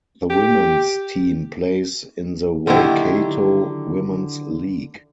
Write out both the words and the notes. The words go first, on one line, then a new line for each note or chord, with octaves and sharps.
The women's team plays in the Waikato Women's League.
G4
D3 D#3 F#3 E4 G4